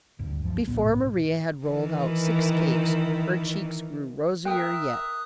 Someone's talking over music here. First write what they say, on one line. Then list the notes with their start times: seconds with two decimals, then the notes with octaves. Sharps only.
Before Mari had rolled out six cakes, her cheeks grew rosier yet.
0.19 D#1 D2 G2
0.44 C#2 F3
0.67 B1 A#2 B3
0.85 G#2 B2
1.65 D#3 E3
4.45 A#4 E5 G5 D#6 F#6